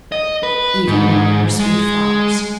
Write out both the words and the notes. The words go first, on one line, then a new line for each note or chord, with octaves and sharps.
Even among her sweet flowers.
D#5
B4
G#2
G#3